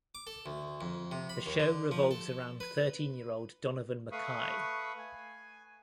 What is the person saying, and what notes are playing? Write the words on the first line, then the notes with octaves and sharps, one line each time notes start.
The show revolves around thirteen-year-old Donovan Mackay.
D6
A4
D2
F2
C3
B5
D#2
D3
F3
A4
B4
A3 B4 F5 B5 C#6 D#6
G#5